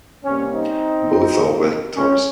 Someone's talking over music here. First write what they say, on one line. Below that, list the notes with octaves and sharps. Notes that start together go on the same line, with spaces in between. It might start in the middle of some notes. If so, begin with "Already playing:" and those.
Both are vectors.
C3 G3 A#3 C#4
C4 D#4
C3 D#3 A#3
C#4